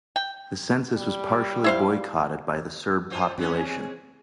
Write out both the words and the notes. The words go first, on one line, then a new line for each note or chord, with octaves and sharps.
The census was partially boycotted by the Serb population.
G5
G3
E4 C5 F5
F3 F4 C5
G#3 C4 C#4 G#4